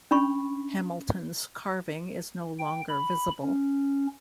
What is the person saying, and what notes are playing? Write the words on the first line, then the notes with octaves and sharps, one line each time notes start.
Hamilton's carving is no longer visible.
C#4 D4 B5 C#6
G5
B5
C#4